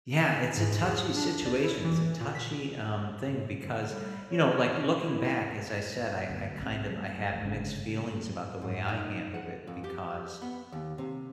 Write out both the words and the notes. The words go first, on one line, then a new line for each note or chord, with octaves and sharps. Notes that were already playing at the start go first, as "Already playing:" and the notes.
Yeah, it's a touchy situation, it's a touchy, um, thing because, you know, like, looking back, as I said, I I kind of I have mixed feelings about the way I handled it because,
G#5
G#2
G#4
D4
D5
E4
E3
A#2
B6
D3
G3
C#5
E4
D2 B2
A#1 C3 C4
F#3 G3 A3
F2 A#2
G1 C#3 G#3 D4
G2 C#3
G#2
D#4
F#5
F2
G4
B3
D#2
C3